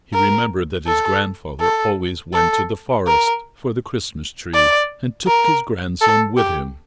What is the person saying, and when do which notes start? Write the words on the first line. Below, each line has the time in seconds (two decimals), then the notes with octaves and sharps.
He remembered that his grandfather always went to the forest for the Christmas tree, and took his grandson with him.
0.13 A#4
0.87 A4
1.60 A4
2.34 A4
3.07 A#4
4.54 D5
5.27 A#4
6.01 A4
6.37 G4